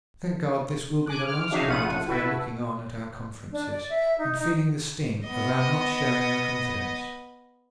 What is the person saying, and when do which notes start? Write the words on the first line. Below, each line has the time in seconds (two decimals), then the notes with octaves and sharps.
Thank God, this will be the last night of her looking on at our conferences, and feeling the sting of our not showing our confidence.
1.06 G#5 D6 F#6
1.25 D6 F6
1.51 C#4 D#4 F#4 G#4 E5 F5
1.67 A#1 C#3 A3 F4 F#5 D#7
2.07 E4 F#4 A4 B4 E5
3.51 D4
3.70 D5
3.89 E5
4.18 D#4
4.38 D#4
5.24 B3 D#5